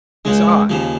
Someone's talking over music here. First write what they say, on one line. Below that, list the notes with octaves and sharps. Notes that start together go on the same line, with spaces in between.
"It's I."
C#2 C#3 G#3
D#2 C#3 F3